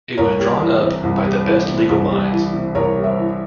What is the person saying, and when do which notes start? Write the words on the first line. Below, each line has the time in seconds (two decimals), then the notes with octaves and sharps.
It was drawn up by the best legal minds.
0.18 C2 A#4 C#5
0.39 G3
0.62 E3
0.82 C3
1.03 C2
1.25 G3
1.46 E3
1.68 C3
1.89 C2
2.11 G3
2.32 E3
2.54 C3
2.75 C2 A#4 C#5
2.97 G3
3.04 C5 E5
3.18 E3